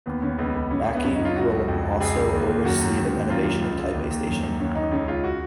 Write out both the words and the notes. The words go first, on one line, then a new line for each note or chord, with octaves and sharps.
Maki will also oversee the renovation of Taipei Station.
D#2 B3
D#2 C#4
C#2 B3
C#2 B3
C#2 C#4
C#2
B3
F#2 C#4
F#2 D#4
F4
C#2 F#4
C#2
F2
F2
C#2 G#4
C#2
D#2
D#2
F#2 F#4
F#2
D#2
D#2
F#2 F4
F#2
C#2
C#2
D#2
D#2
F#2
F#2
D#2 C#4
D#2 D#4
C#2 C#4
C#2 F4
F#4